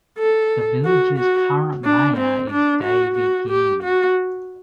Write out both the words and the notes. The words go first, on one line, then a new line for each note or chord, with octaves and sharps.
The village's current mayor is Davy Ginn.
A4
F#4
F#4
D4
C4
D4
F#4
F#4
G4
F#4